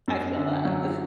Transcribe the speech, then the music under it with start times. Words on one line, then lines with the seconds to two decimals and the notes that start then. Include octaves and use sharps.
I feel that.
0.08 F#2
0.36 D3
0.65 F#3